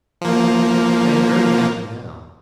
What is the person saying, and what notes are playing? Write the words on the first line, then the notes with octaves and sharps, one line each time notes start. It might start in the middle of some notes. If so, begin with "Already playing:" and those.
I am very happy now.
F3 A#3